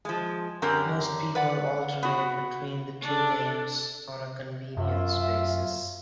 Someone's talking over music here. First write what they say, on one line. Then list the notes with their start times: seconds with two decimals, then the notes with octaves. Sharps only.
Most people alternate between the two names on a convenience basis.
0.05 F3 G#3
0.62 F#2 D3 F#3 C4 G4 A#4
1.35 B4 D5 F#5
2.03 B3 F#4
3.02 D4 A4
4.77 F#2 F4 E5